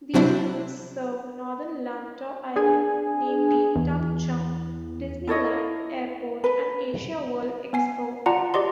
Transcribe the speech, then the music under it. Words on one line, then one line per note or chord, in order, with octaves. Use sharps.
These routes serve Northern Lantau Island, namely Tung Chung, Disneyland, Airport and AsiaWorld-Expo.
C3 F#3 C4 D4 E4
D4 G#4 G#5
E2
E4 A4 C#5 D#5
B4
B3 G#5 C7
F4 D5 F#5 A5 A#5
G4 D5 D#5 C6